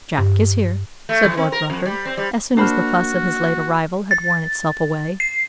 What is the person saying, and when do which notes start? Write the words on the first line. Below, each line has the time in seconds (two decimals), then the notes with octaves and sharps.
"Jack is here," said Lord Rufford, as soon as the fuss of his late arrival had worn itself away.
0.18 G2
1.09 A3
1.25 E2
1.37 C4
1.52 A#4
1.70 F2
1.86 G3
2.05 C4
2.17 G3
2.57 A#3 D4 F#4 C5 B5 F6
4.11 A6
5.20 C7